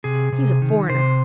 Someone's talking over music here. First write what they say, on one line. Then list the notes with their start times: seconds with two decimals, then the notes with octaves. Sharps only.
He's a foreigner.
0.04 C3 G#4
0.32 C3
0.62 D#3
0.89 C3 C5